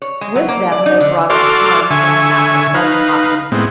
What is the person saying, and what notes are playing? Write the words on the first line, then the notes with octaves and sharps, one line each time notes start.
With them they brought a ton and a half of guncotton.
C#5
G#3
F#3
A#3
D5
D#4
D3
F#4 A4 D5 C6 D6 F6
D3 E5 G#5 C#6
D#4 B4 F5
A2 G#3 B3 C4